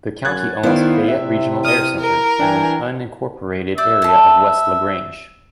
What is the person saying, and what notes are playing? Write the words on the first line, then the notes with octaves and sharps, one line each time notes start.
The county owns Fayette Regional Air Center, in an unincorporated area west of LaGrange.
F#2 F#6 G#6 A6
D#3 B3 E4 C5 D5 F5
C3 E5
D#6 F6
A#4
E3 D4 G5 G#5
D5 E5 D6 G6
A4 A5